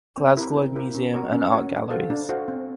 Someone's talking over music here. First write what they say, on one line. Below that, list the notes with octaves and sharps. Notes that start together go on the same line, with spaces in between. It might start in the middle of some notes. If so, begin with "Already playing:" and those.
Glasgow Museum and Art Galleries.
C4
E4 G4 A#4
C4
E4 G4 A#4
C#4
F#4 A#4 C#5
C#4
F#4 A#4 C#5
D4
F#4 A4 C5 F5
D4
F#4 A4 C5 F5
C4